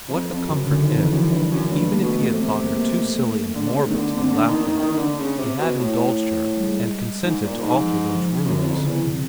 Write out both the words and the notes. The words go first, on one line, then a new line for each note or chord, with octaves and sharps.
What a comfort if, even if he had thought her too silly and morbid to be laughed at, he had indulged her and consented to alter those rooms.
F2
F2
F#2 C#3
D3
F#2
D#3
F2
E3
F#2 F3
E3
G2
F#2
G2 G#3
A#3
A3
B2 A3
A3 B3
C3 A3
G#3 A#3
A3
A#3
A3
D3 G#3
C3
C#3
D#3 A3 B3
D3
D3 A#3 C4
D3
D#3
D#3
D#3
D#3
D3
C#3
C3
B2
A2
G3
G#3
G#2 G#3
A#2
G#2
F3
F#3
F3
F#2 D3
E2
F2
C#3
E2
C3